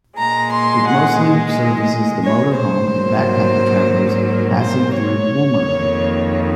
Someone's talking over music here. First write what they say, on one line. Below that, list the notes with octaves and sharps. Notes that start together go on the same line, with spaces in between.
It mostly services the motor home and backpacker travellers passing through Woomera.
A#2 G#3 A#5
C6
F#5
D#5
C#5
C5
G#2 F#3 A#3
A#4
C5
C#5
F2 D#3 A#3